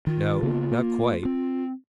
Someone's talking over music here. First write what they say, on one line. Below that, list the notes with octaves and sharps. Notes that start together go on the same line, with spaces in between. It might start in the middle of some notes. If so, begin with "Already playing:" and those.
"No; not quite."
D#3 F4
C#3 A#3 B3
A#3
C4